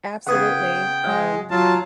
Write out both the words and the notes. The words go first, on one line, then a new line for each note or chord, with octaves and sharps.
Absolutely. Um,
C#3 B3 F#5 G5 D#6 G#6
G#3
F#3 F4 A5